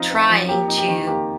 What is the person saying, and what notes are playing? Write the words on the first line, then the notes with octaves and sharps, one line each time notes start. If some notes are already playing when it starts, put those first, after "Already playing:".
trying to
Already playing: F3 C4 D#4 F4
C4
F3
A#3 G4
D#4
G4
D#3
A#3 G4